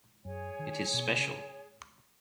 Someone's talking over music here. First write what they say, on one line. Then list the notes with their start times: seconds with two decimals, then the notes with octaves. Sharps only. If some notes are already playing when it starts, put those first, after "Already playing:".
It is special.
0.24 F#2 G#4 C#5 G#5
0.59 D#3
0.94 B2
1.17 C#3